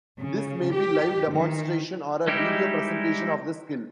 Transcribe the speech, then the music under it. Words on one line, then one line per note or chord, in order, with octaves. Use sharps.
This may be live demonstration, or a video presentation of the skill.
C#3
G4
D#3
G3 G#3 D#4 E4 G4